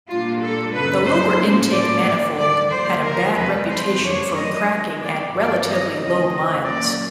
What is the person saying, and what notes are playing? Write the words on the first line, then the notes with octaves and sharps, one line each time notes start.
The lower-intake manifold had a bad reputation for cracking at relatively low miles.
A#2 G3 A#3 D4 F4
A4
F#2 C#3 F#3 B3 D#4 B4
C5
A2 F3 A#3 C#4
D5
D2 D3 G3
D5
D#2 D3 F3 C5
A#4
F2 C3 F3 G#3 C4 B4
C5
F#2 D3 F#3 A3 D4 C#5
D#5
C3 E3 G3 B3
D5
G2 E3 G3 C4 D5
D#5
F2 C#3 E3 A3 D#5
A#2 F#3 A#3 C#4 D5